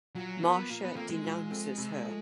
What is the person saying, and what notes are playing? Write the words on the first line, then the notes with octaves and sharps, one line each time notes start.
Marcia denounces her.
A#2 F#3
F3 A#3 B3
A#2 A#3
B3
F3 A3 A#3 C4
G#3
A#2
F3 A3 C4
C3
F3 A3